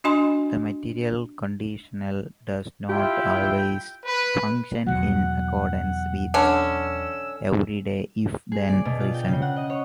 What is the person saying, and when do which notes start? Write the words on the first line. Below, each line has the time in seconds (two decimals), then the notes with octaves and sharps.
The material conditional does not always function in accordance with everyday if-then reasoning.
0.04 D4 F#4 D#5 G#5 B5 C6
2.89 E4 F4 G4 G5
4.04 B4
4.86 E2 B2 F#3 F#5
6.34 D3 C#4 E6
8.52 G#4
8.69 D5
8.85 B2
9.00 F4
9.14 G5
9.28 C#3
9.42 F#5
9.56 D#5
9.70 C#5